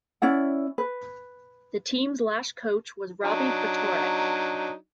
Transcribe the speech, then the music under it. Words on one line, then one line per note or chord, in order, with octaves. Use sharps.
The team's last coach was Robbie Ftorek.
C#4 E4 D5 F#5
B4
F#3 D4 D#4